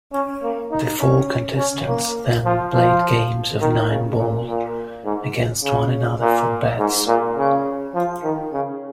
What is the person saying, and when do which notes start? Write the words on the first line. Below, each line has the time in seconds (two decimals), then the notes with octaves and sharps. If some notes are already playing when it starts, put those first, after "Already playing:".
The four contestants then played games of nine ball against one another for bets.
0.13 C#4
0.42 A#3
0.71 D#4
1.00 C#4
1.57 C#4
1.87 A#3
2.45 F3
2.73 F3
3.60 D#3
3.89 C#3
4.18 A#2
4.47 A#2
5.05 G#2
5.63 C#3
6.20 A#2
6.78 G#2
7.07 A#2
7.36 C#3
7.94 F3
8.23 D#3
8.52 C#3